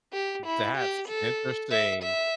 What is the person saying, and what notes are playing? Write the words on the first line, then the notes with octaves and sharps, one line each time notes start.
That's interesting.
G4
E4
G4
A4
E5
E5